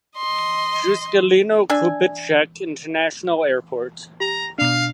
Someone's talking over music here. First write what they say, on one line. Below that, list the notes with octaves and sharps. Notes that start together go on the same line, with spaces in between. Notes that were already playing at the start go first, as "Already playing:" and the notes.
Juscelino Kubitschek International Airport.
D#5 C6
D4 E5 G#5
G4 A#5
B2 D4 F5